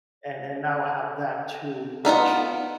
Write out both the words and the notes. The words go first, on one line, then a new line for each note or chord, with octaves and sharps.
and and now I have that too, which
B3 D#4 F4 F#5